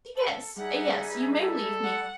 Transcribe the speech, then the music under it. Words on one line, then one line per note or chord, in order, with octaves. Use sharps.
"Yes, yes, you may leave me."
A4
G3 D#4 G#4 E5 F#5
B4
A4
F#5